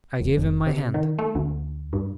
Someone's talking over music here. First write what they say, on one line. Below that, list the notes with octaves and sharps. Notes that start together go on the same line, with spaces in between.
I gave him my hand.
E1
F1
C3
D#3
A3
D2
G2